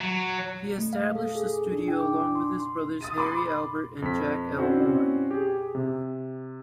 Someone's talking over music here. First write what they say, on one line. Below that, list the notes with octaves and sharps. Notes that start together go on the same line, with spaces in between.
He established the studio along with his brothers Harry, Albert, and Jack L. Warner.
F#3
A3
F5
A4
G#4
G#4
D4
G5
D6
D4
C6
C6
D#6 A6 D#7
B5 C6 D6 A6
F2 B6
C4 C#4 E4 F#4 C5 D5
G4 G#4
C3